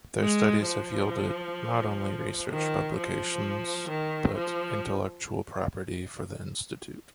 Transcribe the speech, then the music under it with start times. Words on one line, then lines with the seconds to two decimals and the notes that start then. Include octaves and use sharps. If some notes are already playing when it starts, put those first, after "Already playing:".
Their studies have yielded not only research publications, but intellectual property for the institute.
0.20 G#3
0.66 F3
2.51 D#3
2.97 F3
3.90 D#3
4.35 F3